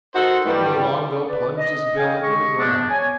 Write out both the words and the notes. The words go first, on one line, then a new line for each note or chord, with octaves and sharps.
Suddenly Longbill plunged his bill into the ground.
D#4 F#4 A4 A#4 C5
G2 E3 G3
B4 D5
D#5
A4 D#5 F5 G5 G#5
G#3 G4 G#4 D#5 C#6
F3 B3 D4
C#5 G#5